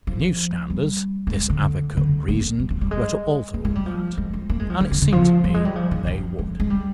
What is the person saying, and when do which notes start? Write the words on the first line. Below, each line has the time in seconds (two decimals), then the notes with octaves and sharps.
The new standards, this advocate reasoned, were to alter all that, and it seemed to me they would.
0.07 F3
0.70 G3
1.27 A#3
1.33 G#3
1.50 D3
1.97 D3
2.28 A#3
2.59 G3
2.70 F3
2.81 G3
2.91 G#3
3.54 A#3
3.65 G#3
3.75 G3
3.86 F3
4.17 G#3
4.33 G#3
4.49 A#3
4.60 G#3
4.70 F3
4.80 D#3
4.91 D3
5.02 D3
5.12 F3
5.44 G3
5.54 G#3
5.65 G3
5.76 F3
5.91 D#3
6.07 F3
6.39 G#3
6.60 G#3
6.70 G3